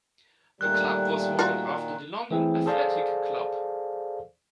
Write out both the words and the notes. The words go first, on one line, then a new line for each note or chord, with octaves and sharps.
The club was modeled after the London Athletic Club.
A#2 D#3 G3 A3 F#6
F4 F#4
E3 A3 C4 E4 G#4
G#4 A4 C5 D5 F5